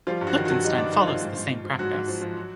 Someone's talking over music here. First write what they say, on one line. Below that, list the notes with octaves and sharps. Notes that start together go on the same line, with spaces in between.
Liechtenstein follows the same practice.
F3 G3 F4
G2
F#3 F#4
D#3
F#3 F#4
G2
G3 D#4
G2 D4
D#3 D#4
G2 F3 F4
G#2
G#2
F3
F3
G#2 F#3 F#4
G#2
F3
F3
F#3